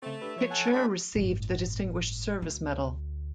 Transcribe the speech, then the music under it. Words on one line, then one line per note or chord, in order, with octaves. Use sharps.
Pitcher received the Distinguished Service Medal.
C#3 A3 C4
D4 G4 B4 E5
E3 F3 A3 C#5
A4 F#5 G#5
G#3 D4 C5 B5
G1 A2
D2